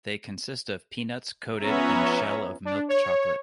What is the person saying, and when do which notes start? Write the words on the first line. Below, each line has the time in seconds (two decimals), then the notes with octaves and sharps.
They consist of peanuts coated in a shell of milk chocolate.
1.61 F3 B3 C#4 C#5 E5 A#5
2.65 D4
2.89 C#5